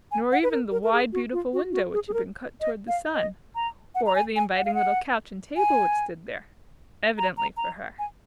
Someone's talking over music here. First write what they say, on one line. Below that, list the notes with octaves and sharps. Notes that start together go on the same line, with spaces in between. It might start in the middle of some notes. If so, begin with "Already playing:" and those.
Nor even the wide, beautiful window which had been cut toward the sun, or the inviting little couch and table which stood there, evidently for her.
G#5
F#5
B4
A#4
A#4
A#4
G#4
F#4
F4
F#4
F#4
G#4
G#4
A#4
D#5
F5
D#5
A#5
F#5
A#5
G#5
G#5
F#5
F5
F#5
G#5
A#5
A#5
A#5
G#5